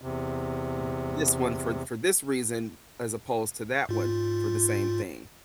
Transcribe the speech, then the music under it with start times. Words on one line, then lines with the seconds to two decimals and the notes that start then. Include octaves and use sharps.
th this one for for this reason, as opposed to that one for the same thing,
0.02 E2 C3
3.89 G#2 F4